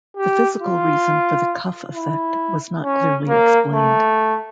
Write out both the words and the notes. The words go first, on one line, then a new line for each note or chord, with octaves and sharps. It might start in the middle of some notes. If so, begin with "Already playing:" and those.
The physical reason for the cuff effect was not clearly explained.
G4
F4
E4
C#4
A#3
A3